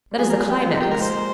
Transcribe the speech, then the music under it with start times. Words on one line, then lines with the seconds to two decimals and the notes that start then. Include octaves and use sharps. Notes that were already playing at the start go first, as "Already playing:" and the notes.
That is the climax.
0.11 G3
0.18 F3 G#4
0.30 G3 A#4
0.39 G#4
0.46 G3 G4
0.60 F3 F4
0.71 G3 D#4
0.81 A#3 G4
0.87 G#3 A#4
1.01 G#3 C5